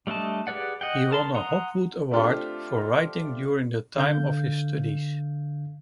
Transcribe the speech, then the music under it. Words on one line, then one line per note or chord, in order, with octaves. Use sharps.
He won a Hopwood Award for writing during the time of his studies.
G3 A3 D4 D#5 A5
G4 G#4 B4 D5 F#5
D#5 F#5 G5
A#4 A5 C6
F#5 A#5 C6 D#6
A3 C4 D4 F4 G4 A4
D3 F5 G6